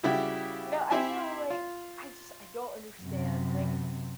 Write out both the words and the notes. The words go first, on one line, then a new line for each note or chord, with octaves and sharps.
No, I know, like, I just I don't understand, like,
C#3 G3 E4 F#4 G4
C4 E4 G4 E5 G#5
F4
F#2 C3